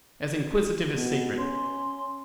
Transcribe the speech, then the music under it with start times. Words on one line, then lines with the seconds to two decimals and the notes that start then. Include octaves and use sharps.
As inquisitive as secret.'
0.95 B2 B3
1.37 C#4 C6